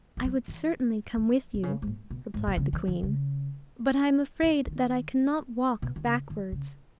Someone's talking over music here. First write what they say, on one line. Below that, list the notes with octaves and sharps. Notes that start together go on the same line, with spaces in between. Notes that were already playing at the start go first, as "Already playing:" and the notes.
"I would certainly come with you," replied the Queen, "but I am afraid that I cannot walk backwards."
E3
F#3
E3
E3
B2
C#3
G#2
A#2
B2
G#2
B2
C#3
E3
D#3
C#3
B2
D#3
B2
D#3
C#3
D#3
C#3